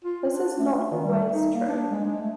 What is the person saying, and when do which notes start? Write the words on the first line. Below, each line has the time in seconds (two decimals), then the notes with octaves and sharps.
This is not always true.
0.04 F4
0.30 D4
0.59 A3
0.73 A3
0.92 D#3
1.04 G3
1.32 D#4
1.54 A#3
1.68 D4
1.91 G#3
2.05 G#3
2.21 A3